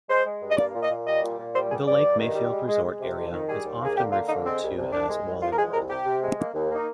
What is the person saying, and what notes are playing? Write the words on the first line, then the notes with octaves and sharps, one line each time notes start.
The Lake Mayfield Resort area is often referred to as 'Wally World'.
G#3 C5
G#3
G2
D#5
A#3 D5
A#2
D#5
A#2
G3 D#5
A#2
A#2
G3 C5
G2 G#4
G2 D5
G2
D#3
G3
G#3
G#3
G#3
C3
F2
D#3
G3 G#4
D#2
A#3 G#4
D3 G4
A#3 F4
D3 D#4
G#3 C4
C2
C2
C2 D4
G#3
C2
F3 F4
A#4
G#3 G#4
C2 A#4
C3 G4
C3
G#3
A#3
D#2
A#3
D#4